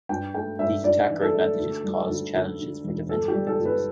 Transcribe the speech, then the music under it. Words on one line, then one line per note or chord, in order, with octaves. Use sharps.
These attacker advantages cause challenges for defense mechanisms.
G2 G5
A3 G5
G2 E5
G2 D5
E3
A4
A3
D2
G3
D2
D2
D3
E1
G1 A4
G4
G3
A4
G1
B4